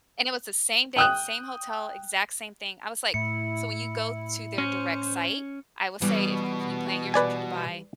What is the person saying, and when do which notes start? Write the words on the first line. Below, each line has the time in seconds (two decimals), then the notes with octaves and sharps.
And it was the same dates, same hotel, exact same thing. I was like so when you go to their direct site, I will say if you plan your trip to Dubai,
0.96 G5 D#6 F#6
3.14 A2 E4 C#7
4.58 C#4 C5
6.02 B2 E3 G3
7.14 B4 D5 G#5